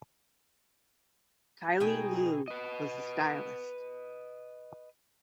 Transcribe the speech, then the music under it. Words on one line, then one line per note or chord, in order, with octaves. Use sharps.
Kyle Luu was the stylist.
B2 D#4 G#4 G5 G#5
B4 D#5